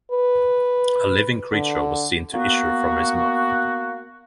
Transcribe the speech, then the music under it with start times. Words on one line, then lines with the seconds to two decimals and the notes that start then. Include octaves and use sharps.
A living creature was seen to issue from his mouth.
0.11 B4
1.53 D3
2.34 A#3 B3 F#4